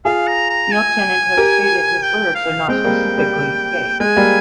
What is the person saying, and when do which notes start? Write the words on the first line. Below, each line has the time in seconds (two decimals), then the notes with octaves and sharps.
Neil Tennant has stated that his lyrics are not specifically gay.
0.05 F4 G#4 F5
0.27 A#5
0.50 A#5
0.72 G#5
1.37 G4 A#4
2.02 G5
2.35 F5
2.68 G#3 C4 G5
2.84 G3 A#3
3.18 G3
4.00 G#3 G#5
4.17 G3 A#3